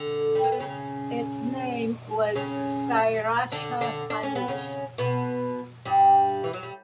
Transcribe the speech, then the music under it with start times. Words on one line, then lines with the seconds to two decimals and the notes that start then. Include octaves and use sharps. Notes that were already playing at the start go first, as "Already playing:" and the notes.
Its name was "Si Racha Phanich".
Already playing: D3
0.35 G3
0.44 A#3
0.52 B3
0.60 C#3 C#4
2.35 C#3 C#4
3.52 D3 D4
3.81 D3 D4
4.10 D4
4.23 C#4
4.35 B3
4.48 C#3 C#4
4.98 B2 B3
5.86 G2 G3
6.44 E3
6.53 F#3
6.63 G3